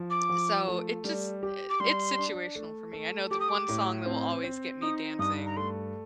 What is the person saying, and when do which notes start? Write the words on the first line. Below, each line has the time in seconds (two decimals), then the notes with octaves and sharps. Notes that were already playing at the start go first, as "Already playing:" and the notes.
so it just eh, it's situational for me. I know the one song that will always get me dancing,
Already playing: F3
0.10 D6
0.29 F3
0.68 A3
1.04 G3
1.43 G4
1.70 D6
1.80 G3 C6
2.18 D4
2.55 A3
2.93 A3
3.31 G4 D6
3.40 D#6
3.49 D6
3.69 A2
4.06 C4
4.43 C4
4.82 D#4 D#6
5.19 G2 D#6
5.46 A#5
5.57 A3 C6